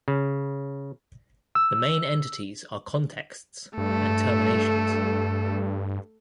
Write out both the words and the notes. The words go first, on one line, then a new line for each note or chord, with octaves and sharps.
The main entities are Contexts and Terminations.
C#3
E6
G2 A3 A4